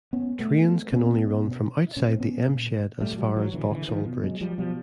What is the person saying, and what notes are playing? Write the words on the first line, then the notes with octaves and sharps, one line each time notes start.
Trains can only run from outside the M Shed as far as Vauxhall Bridge.
B3 C#4
B2 A3 B3
B2 B3 C#4
B2
A#2 C#4
C4
B3 C#4
A#2
A#2 G3 A3
F#3 G#3
E3 F#3
A#2 D3 E3
D3 E3
D#3 F3
B2
F#3 G#3
F3 G3
B2 F3 G3